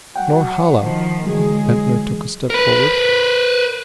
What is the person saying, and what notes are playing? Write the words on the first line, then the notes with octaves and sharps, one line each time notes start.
"Norhala." Ventnor took a step forward.
F#3 F#5 G5
D#3 F3
D3 E3 F#3 G#3 G#4
A#4 B4